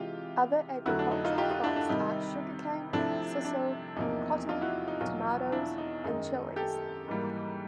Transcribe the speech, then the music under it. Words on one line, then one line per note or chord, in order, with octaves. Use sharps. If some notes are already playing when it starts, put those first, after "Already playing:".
Other agricultural crops are sugar-cane, sisal, cotton, tomatoes and chillies.
Already playing: C3 E3 G#3 F4 G4
F2 D3 F#3 A3 E4 F#4
D4
D#4
D#4 F4
F4 G4
D#4 F4
D4 E4
D4
C3 D#3 G3 D#4
C3 F3 A3 D4 E4
D4
E2 C3 F3 A#3 D#4
D#4 F4
E4 F#4
D#4
E2 B2 F#3 D#4 F4
D4 E4
D#4
F#2 D#3 G#3 D#4
G4 A4
G#2 E3 G3 A#3